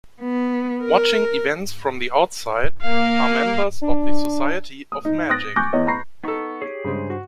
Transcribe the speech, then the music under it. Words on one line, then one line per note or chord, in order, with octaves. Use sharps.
Watching events from the outside are members of the Society of Magic.
B3
A#4
A#3 F5
D4
D#6
D#4
D#6 F#6 A6 A#6 D7
G#5 C#6 D6 F#6 G6 A#6
E2 C#5 D#5
A#5 B5 C#6 A#6 C7
B3 D#4 A4 C#6
G4 G#4 C#5
G2 C#3 G#3 C5
F#4